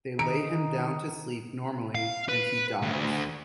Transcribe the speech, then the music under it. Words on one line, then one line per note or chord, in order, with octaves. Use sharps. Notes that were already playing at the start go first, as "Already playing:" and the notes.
They lay him down to sleep normally, and he dies.
D#3 D#4 A#5 D7
F5
B4
D2